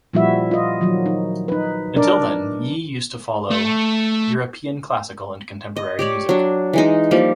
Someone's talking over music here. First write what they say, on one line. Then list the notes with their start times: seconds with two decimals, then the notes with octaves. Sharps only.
Until then Yi used to follow European classical and contemporary music.
0.13 A#2 F3 G3 E4 F#4 E5
0.51 F4 D#5
0.81 D#3 F3 F#3
1.06 D#4
1.48 D#4 B4
1.96 D4 A#4 D5
3.51 A3
5.76 D#5
5.99 G4 C#5 D5
6.29 F#3 D4
6.73 E3 G#3 D#4
7.11 F3 G3 A#3